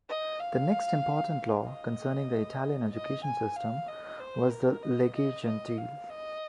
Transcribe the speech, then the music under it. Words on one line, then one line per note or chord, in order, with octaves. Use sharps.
The next important law concerning the Italian education system was the "Legge Gentile".
D#5
F5
D#5
D#5
G#5
F5
D#5
C5
A#4
D#5
D#5
D#5
F5
D#5